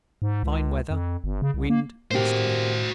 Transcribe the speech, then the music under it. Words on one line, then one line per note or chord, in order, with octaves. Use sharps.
Fine weather: wind easterly.
G#2
C#2
F2
G1
C#3
C2
A#3
A2 A#3 C4 F#4 G4 C5